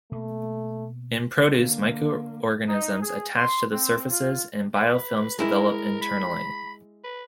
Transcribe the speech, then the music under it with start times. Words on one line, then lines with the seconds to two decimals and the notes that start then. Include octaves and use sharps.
In produce, microorganisms attach to the surfaces and biofilms develop internally.
0.12 B2 A3 A#3
1.50 D3 A#3
2.69 D#4
3.02 G#4
3.37 C6
3.72 C4
4.10 F4
4.75 B4
5.39 G#3 E4 A#4
6.02 B5
7.04 B4